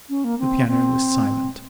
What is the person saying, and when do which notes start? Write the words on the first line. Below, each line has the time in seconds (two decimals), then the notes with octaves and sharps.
The piano was silent.
0.09 C#4
0.24 A#3
0.39 C4
0.68 C4